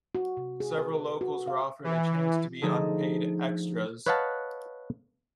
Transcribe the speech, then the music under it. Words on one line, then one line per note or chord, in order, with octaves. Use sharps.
Several locals were offered a chance to be unpaid "extras".
F#4
C3
G#4
B4
F#4
F5
E3
D3 F3 A3 D#4 G#4 A4
B4 C#5 D#5 F5 F#5 A5